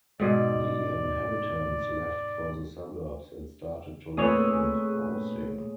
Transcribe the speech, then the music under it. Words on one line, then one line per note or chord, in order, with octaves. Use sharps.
The inhabitants left for the suburbs and started to live in housing.
G#2 B2 G#4 D5
A#2 A3 C4 G#4 B4 C#5 D#6